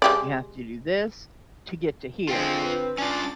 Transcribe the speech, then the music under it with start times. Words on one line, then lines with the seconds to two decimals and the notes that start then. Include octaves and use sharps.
you have to do this to get to here."
0.02 G#3 G4 D5
2.28 D3 G#3 C4 F4 F5 G5
2.64 B4
2.98 C#4 D4 F4 A6